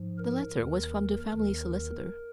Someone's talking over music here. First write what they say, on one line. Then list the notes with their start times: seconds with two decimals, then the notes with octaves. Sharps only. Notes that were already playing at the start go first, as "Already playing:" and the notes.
The letter was from the family solicitor.
Already playing: G#2 F3
0.18 A#4
0.55 D#2 D#3
1.31 D#2 D#3 A#4